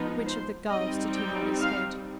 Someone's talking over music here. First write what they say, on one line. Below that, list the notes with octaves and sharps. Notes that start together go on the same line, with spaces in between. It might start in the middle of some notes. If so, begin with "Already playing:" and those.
To which of the gulfs did he nod his head?
Already playing: F3 G#3 B3 D#4
C5
G3 C4 D#4 D#5
G5
F5